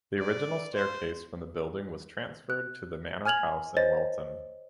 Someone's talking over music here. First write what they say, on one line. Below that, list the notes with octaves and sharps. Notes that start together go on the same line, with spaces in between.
The original staircase from the building was transferred to the Manor House in Welton.
D5
C5
F#6
G#5 F6 G#6 F7 F#7
C5 C#5 D#5 A6